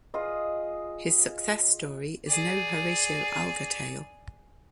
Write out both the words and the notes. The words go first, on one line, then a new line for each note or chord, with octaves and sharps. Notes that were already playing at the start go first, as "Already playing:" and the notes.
His success story is no Horatio Alger tale.
F4 G#4 D#5
G#4 D5